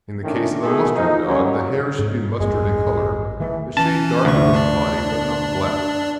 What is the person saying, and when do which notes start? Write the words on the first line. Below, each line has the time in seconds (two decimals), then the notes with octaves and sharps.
In the case of a mustard dog the hair should be mustard in colour, a shade darker than the body, but not black.
0.24 D#3 A3 C#4 D4 E4
0.62 B2 D#3 A3 G#4
0.95 F3 D#4
1.26 F#3 G3 A#3 C#4
1.99 G#2
2.40 A1 E2 G2 G#3
3.40 D#3 E3 A3
3.77 E3 C#4 A5
4.25 D2 C3 C#6
4.54 D4 D5